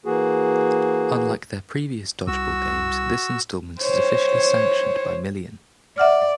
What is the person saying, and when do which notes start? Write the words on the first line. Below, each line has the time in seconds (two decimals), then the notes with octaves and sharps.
Unlike their previous Dodgeball games, this installment is officially sanctioned by Million.
0.05 E3 A#3 F#4 G#4
2.27 C2 F#4 E6
3.81 C5 C#5
5.98 D5 E5 F#5 F6